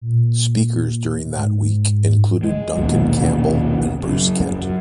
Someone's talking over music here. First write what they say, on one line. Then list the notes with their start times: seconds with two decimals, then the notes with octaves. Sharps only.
Speakers during that week included Duncan Campbell and Bruce Kent.
0.01 A#2
1.34 G#2
2.44 G#3
2.77 A#1 D#2 B2
4.03 F#2 C#3
4.51 F#2